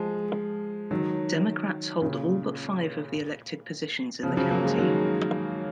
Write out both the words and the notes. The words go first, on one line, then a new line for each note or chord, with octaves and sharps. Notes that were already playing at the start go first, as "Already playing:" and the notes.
Democrats hold all but five of the elected positions in the county.
Already playing: F3 G#3
D#3 F#3
A#2 C#3
C#3 F3
F#3
C#3 F3
F#3 A#3
F3 G#3
D#3 F#3